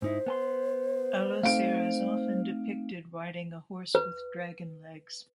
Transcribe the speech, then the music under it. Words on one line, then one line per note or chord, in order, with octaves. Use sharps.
Allocer is often depicted riding a horse with dragon legs.
G#2 D#4 E4 C5
B3 G#5 C6
A3 C4 D#4 F5 D7
B4